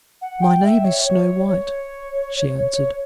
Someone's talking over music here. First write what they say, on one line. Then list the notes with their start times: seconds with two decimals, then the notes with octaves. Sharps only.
"My name is Snow-white," she answered.
0.21 F#5
0.42 G5
0.63 E5
0.84 C#5
1.04 C#5
1.48 C#5
2.73 C#5